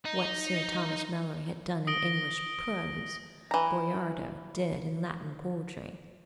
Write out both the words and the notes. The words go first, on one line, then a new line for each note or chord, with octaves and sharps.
What Sir Thomas Malory had done in English prose, Boiardo did in Latin poetry.
D#4
D#6 A#6 D7 G7
E3 A#5